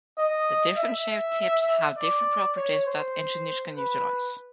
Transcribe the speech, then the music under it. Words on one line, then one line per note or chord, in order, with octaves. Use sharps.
The different shaped tips have different properties that engineers can utilize.
D#5
E5
D5
C#5
C5
B4